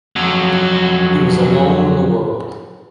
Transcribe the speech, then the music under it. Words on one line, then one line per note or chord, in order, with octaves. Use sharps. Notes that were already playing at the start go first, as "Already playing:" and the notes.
He was alone in the world.
F2 F#3